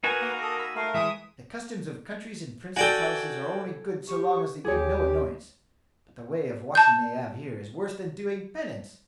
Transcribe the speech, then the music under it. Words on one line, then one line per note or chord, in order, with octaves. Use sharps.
The customs of countries and princes' palaces are only good so long as they give no annoyance; but the way of washing they have here is worse than doing penance.
D#4 F#4 A#4 B4 F#5 G#5
A#3
A4 D#6
B5 E6
A3 A#4 F5
E3 G#3 E5 D#6
F#4 A4 D5 G5 G#5
G4 C#6
D#2 G4 G#4 C#5
A5 G6